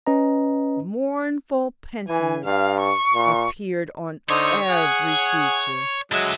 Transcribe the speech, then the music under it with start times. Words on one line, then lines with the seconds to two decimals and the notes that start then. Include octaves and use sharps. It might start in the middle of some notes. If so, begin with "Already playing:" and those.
Mournful penitence appeared on every feature.
0.07 C#4 B4 D#5 A#5
2.09 E3 G#5
2.45 G2 F5
2.80 C#6
3.14 A#2
4.30 D3 D#4 C5 C#5
4.70 G#4 F#5
6.12 D3 F#3 G#3 E5